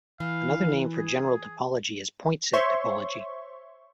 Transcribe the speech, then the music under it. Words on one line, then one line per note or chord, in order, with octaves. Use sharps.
Another name for general topology is point-set topology.
E3 F5
G#4
C5 C#5 E5 C6 C#6